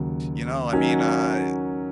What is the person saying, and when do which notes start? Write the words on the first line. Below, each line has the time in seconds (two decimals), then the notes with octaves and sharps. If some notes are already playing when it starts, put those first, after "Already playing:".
you know, I mean, uh,
Already playing: D#2 C#3 F#3
0.73 D#3 F#3 C#4 F#4